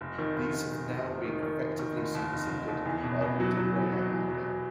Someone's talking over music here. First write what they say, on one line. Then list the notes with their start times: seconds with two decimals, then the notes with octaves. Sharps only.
These have now been effectively superseded by the derailleur hanger.
0.01 F1
0.19 D#3
0.36 F1
0.53 F1
0.71 F1
0.90 F1
1.08 F1
1.25 D#3
1.43 D#3
1.60 F1
1.79 D#3
1.97 F1
2.15 D#2
2.33 F1
2.49 F1
2.68 D#2
2.86 E2
3.03 B2
3.21 B2
3.40 F#3
3.57 F#3
3.75 E2
3.92 F#3
4.10 E2
4.28 F#3